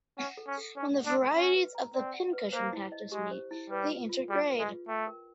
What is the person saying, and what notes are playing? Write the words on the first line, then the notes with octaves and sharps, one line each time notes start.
Where the varieties of the pincushion cactus meet, they intergrade.
C#4 F#5
A4
C#4
A4
C#4 C#5
F#5
D4
A4
C#4 F#5
B4
A#5
C4 D5
F#5
B4
A#3 C5
E4
D#5
G#3 G4
C5
E4
G3 B4
F4
F4
G3 G#4
B4
G#3
F4
A3 G5
A#4